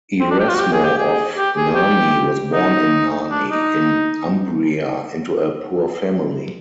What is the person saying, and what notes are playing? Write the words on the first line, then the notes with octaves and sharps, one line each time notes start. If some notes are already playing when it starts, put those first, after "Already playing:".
Erasmo of Narni was born in Narni, in Umbria, into a poor family.
C4
D4
G4
F4
F#4
G4
G#4
G4
G#4
G4
G#4
G4
D#4
D4
D#4